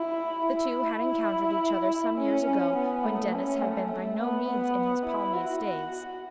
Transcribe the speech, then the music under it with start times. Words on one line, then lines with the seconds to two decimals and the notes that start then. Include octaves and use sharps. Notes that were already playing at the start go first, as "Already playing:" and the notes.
The two had encountered each other some years ago, when Denis had been by no means in his palmiest days.
Already playing: E4
0.45 E4
1.03 E4
2.18 C#4
2.47 C#4
2.76 B3
3.05 A3
3.33 C#4
3.63 A3
3.91 A3
4.20 B3
4.48 B3
5.06 E4
5.34 F#4
5.64 F#4